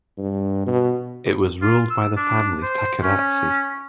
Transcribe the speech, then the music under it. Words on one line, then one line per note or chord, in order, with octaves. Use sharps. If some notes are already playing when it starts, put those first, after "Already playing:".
It was ruled by the family Tachiratsi.
G2
B2
F4
E6
D4
C5
C#4